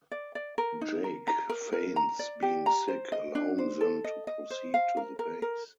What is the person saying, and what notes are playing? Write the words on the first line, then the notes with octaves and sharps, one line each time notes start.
Jake feigns being sick, allowing them to proceed to the base.
D5
D5
A#4
D#4
A#4
A#5
A#4
A#4
A#5
D5
G4
A#5
C5
D#5
D4
C5
A4
D#5
D#5
C5
F5
A#4
A#4
A#4